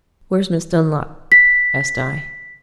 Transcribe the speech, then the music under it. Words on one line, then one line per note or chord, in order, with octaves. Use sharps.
"Where's Miss Dunlop?" asked I.
B6